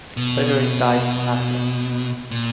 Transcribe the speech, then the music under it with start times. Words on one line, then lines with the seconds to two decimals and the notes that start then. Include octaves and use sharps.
Frederick died soon after.
0.17 B2
2.31 A#2